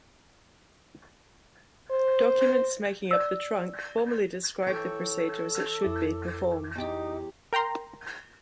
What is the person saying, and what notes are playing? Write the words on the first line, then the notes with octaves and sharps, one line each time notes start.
Documents making up the trunk formally describe the procedure as it should be performed.
C5
D5 E6
E3 A4 C#5 G5
F2 E4 D6
E2 D#4 G4
A#4 G5 A#5 C6